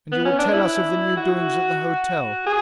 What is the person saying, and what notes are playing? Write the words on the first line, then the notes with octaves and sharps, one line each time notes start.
And you will tell us of the new doings at the hotel.
B3
C#4
D4
E4
F#4
G#4